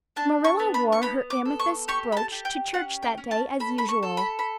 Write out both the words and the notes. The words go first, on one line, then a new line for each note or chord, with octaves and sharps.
Marilla wore her amethyst brooch to church that day as usual.
D4 A5
C#6
B3
B5
C#6
B3 B5
D6
A4
C#6
G4 C#6
B5
A5
G4
G5
C#4 F#5
G5
C#4
A5
A4 B5
B5
C#6
A4
B5
B5